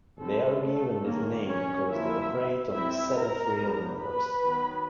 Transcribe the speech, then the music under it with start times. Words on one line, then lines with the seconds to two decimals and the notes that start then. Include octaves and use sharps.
They are given this name because they operate on the set of real numbers.
0.19 D3 G3 A3 C4 A4
0.61 A3 A4
1.03 D#3 G#3 A#3 C#4 A#4
1.45 C#4 C#5
1.88 D3 F3 A#3 E4 E5
2.72 G3 C4 E4 E5
3.15 A#4 A#5
3.57 G3 B3 D4
4.00 B4 B5
4.42 D#3 F#3 B3